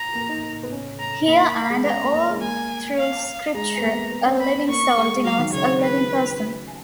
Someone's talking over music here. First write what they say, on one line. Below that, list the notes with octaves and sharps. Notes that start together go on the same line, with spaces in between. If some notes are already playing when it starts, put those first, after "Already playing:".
Here and "all through Scripture" a "living soul" denotes a "living person".
Already playing: A#5
A#3
D#4
B3
C#4
A#5
A#3 B5
G#3
B3 A#5
C#4
A#3
A#3
G#3
A#3 G#5
F5
G#3 A#5
B3
A#3
B3
C#4
B3 B5
C#4
A#3 C#6
G#3
G#3
F#3 F5
D#3
C#3 C#5
B4